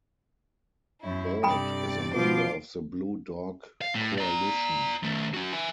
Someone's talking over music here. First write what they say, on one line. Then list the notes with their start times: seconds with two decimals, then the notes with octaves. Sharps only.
Boyd is a member of the Blue Dog Coalition.
1.00 F#2 E4
1.43 G2 C3 A4 D5 G5 B5
2.13 B2 F3 B3 F4 C6 D6
3.81 F5
3.95 A2
4.18 D5 A#5
5.03 D#3 A3
5.34 C#4 F#4
5.53 E5 G#5